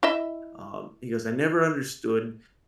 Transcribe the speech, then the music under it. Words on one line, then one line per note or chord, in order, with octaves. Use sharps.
um, he goes, "I never understood
E4 D#5 E5